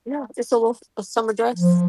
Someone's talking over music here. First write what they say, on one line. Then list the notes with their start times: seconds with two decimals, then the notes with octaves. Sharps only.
Yeah, just a little a summer dress.
1.55 F3